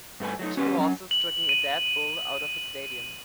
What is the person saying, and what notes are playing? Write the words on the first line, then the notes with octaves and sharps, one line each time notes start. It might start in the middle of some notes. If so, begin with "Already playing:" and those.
Two horses dragging a dead bull out of a stadium.
G2 A3 B4 G#5
F#3 A3 D#4
C#4 F#4 G4 B4
F#3 C#4
F#7
D#7